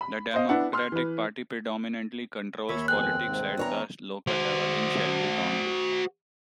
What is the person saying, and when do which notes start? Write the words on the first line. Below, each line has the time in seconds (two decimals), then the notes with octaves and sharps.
The Democratic Party predominantly controls politics at the local level in Shelby County.
0.01 B5
0.34 C5 D#5 F5
0.49 B3 D4 E4 F#5
0.73 C6 F6
0.92 E3 B4
2.69 D#2 C#5 E5 B5
2.88 F2 B2 C4 G#4 F#6
3.24 G#2 C3
3.57 E2 E3 D4 C#5 A#5
4.27 F#4 C5